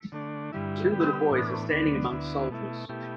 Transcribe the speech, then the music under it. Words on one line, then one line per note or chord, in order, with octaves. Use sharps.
Two little boys are standing amongst soldiers.
D3 A3 D4
G2 D3 G3 E4
D3 G3 B3 G4
A2 E3 B3 D4
D2 D3 B3 D4
D2 D3 B3 E4
B2 A3 E4
B2 A3 E4 G4